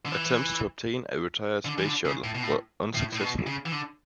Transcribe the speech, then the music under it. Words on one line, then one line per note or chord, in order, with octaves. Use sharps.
Attempts to obtain a retired Space Shuttle were unsuccessful.
D3
E3
D3
E3
D3
C#3
A2
B2
A2
A2
A2
B2
C#3
E3
D3